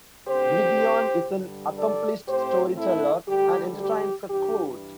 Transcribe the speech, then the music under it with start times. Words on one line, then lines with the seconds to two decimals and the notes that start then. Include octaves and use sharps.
Gwydion is an accomplished storyteller and entertains her court.
0.28 D2 D3 C4 G4 C5
1.29 G2 D3 G3
1.78 A4 D5
2.28 A2 A3 C4 G4 C5
2.78 E4 A4
3.28 D2 D3 G3 G4
3.79 G4
4.29 G2 E3 G3 D4 G4